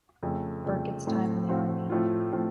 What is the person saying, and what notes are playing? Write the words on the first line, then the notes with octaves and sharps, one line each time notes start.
Burkett's time in the Army.
F2 C#3 A3
F2 C#3 A3
A2 A3 C4 F#4
A2 A3 C4 F#4
A2 F3 A3 C4 F4
A2 F3 A3 C4 F4